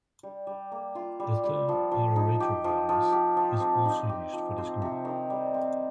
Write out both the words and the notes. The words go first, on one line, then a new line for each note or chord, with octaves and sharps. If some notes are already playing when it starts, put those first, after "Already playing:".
The term "pararetrovirus" is also used for this group.
G3
G3
A#3
F4
G3
G3
F3
F3
D#4
G4
F3
F3
G4
F3
C4
D#4
G4
F3
C4
C3
D#3
G3
C4